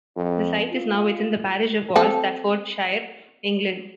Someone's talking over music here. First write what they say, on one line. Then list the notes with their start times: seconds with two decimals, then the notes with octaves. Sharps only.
The site is now within the parish of Wall, Staffordshire, England.
0.17 F2
0.73 F4
1.96 C4 A4